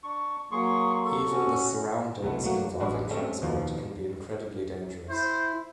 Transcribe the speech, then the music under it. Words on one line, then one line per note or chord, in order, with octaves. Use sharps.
Even the surroundings involving transport can be incredibly dangerous.
D4 C#6
F#3 A#3 G#4 C6 C#6
A4 C#6
C#4 F#4
C2 B2 F#3 A3
F#3 A3 A#3 F#4
A1 G2 G#3 D4 F#4 B4
G#3 A3 C4 C#4 A4
D#2 B2 F3
E4 C5